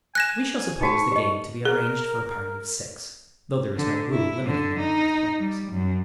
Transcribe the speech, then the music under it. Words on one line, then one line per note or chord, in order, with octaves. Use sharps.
We shall suppose the game to be arranged for a party of six,-- though there is no rule limiting the number of players.
G#5 F#6 A#6 E7
D#4 F#4 A5 C#6
G4 D#5
G#4 A#4
D3
E4
D3
D#4
G3
F#2